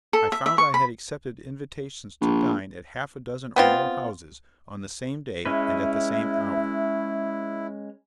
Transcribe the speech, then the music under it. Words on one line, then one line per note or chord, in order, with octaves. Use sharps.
I found I had accepted invitations to dine at half a dozen or more houses on the same day and at the same hour.
A4
E5
E5
C#6
B5
A#1
B3 C4 F4
G#3 C#4 E4 B4 E5